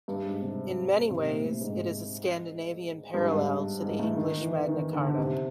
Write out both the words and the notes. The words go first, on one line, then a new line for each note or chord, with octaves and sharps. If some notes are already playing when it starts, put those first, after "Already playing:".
In many ways it is a Scandinavian parallel to the English Magna Carta.
G2
G#2
C3
C3
A#2
A2
G#2
G2
G#2
G2
G#2
A2
D#3
E3
D#3
D3
C3